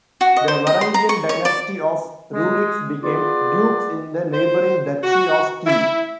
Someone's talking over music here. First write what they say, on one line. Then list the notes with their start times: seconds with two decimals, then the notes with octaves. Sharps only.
The Varangian dynasty of Ruriks became dukes in the neighboring Duchy of Kiev.
0.21 F#4
0.37 D#5
0.48 C5
0.67 D#5
0.81 C6
0.94 A#5
1.09 C#6
1.29 C#5
1.45 D5
2.32 G#3
3.02 B3 F4 G#4 D5
4.33 C5
5.04 F#4
5.66 E4